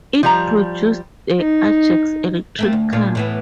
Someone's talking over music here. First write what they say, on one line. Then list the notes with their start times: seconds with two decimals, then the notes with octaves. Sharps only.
It produced the Ajax Electric car.
0.23 F3 G3 A#5
1.40 D#4
2.59 A3 A#3 C4
2.73 D2
2.93 A#2 D4 F4
3.15 A2 E3 B3